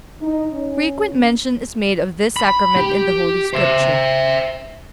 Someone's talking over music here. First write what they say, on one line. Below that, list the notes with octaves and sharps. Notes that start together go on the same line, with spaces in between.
Frequent mention is made of this Sacrament in the Holy Scripture.
D#4
C#4
B5
G4
C5 E5